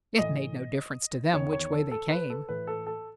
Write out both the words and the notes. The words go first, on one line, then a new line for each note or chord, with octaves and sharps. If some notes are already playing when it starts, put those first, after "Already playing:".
It made no difference to them which way they came.
A2 E3 D#5
E2 D#3 C#5
C#5
A4
A4
B4
A4
A2 E3 B4
A4
A4